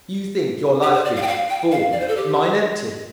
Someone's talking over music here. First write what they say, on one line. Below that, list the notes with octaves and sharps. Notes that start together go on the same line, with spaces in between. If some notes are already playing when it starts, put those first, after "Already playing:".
You think your life's been full and mine empty?
G4
C5
D5
F5
G5
F5
G5
F5
D5
C5
A4
G4